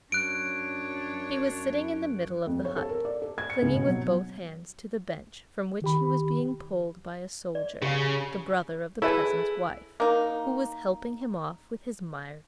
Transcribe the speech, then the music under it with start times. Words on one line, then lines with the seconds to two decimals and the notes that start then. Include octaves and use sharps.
He was sitting in the middle of the hut, clinging with both hands to the bench from which he was being pulled by a soldier, the brother of the peasant's wife, who was helping him off with his miry boots.
0.12 F#2 D4 C#5 F#6 D7
2.47 F2
2.65 C#5
2.76 A4
2.89 A#4
3.05 D5
3.22 A4
3.38 G#6
3.50 C#7
3.62 C#2
3.75 B2
3.87 F#3
5.82 D#3 G4 B5
7.55 D5
7.82 C#3 G4 F5
9.02 E4 G#4 A4 B4 C#5 E5 G#5
10.00 A#3 D#4